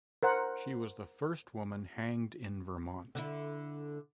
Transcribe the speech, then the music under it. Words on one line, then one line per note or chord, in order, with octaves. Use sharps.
She was the first woman hanged in Vermont.
A#4 C5 F#5
D3 E4